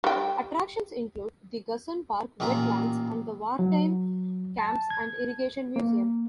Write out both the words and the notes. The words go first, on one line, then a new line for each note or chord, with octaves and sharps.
Attractions include the Cussen Park wetlands and the Wartime Camps and Irrigation Museum.
G3 G5
A1 A#2 F4 A#4 A#5
F#3
A5
G#6
A#3